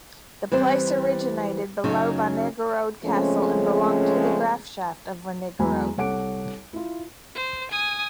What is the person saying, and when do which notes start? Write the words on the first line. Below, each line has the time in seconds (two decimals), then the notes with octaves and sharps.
The place originated below Wernigerode Castle and belonged to the "Grafschaft" of Wernigerode.
0.52 E3 G3 C4 C5
1.84 F#2 C#3 F#3 D#4
3.05 C#3 F3 G#3 A3 C4 C#4
5.59 E2 F#3 G#3 G#5 A#5 B5
5.97 C2 A4 C#5 F#5 D6 D7
6.73 E4 F4
7.35 C5
7.71 G#5 D#6